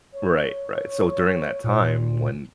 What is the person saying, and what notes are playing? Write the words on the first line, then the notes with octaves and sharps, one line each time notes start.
Right, right. So, during that time when
C#5
A#2